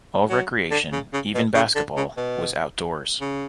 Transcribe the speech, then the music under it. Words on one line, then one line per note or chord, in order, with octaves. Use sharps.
All recreation, even basketball, was outdoors.
F#3
D3
C#3
C#3
B2
C#3
D3
C#3
B2
C#3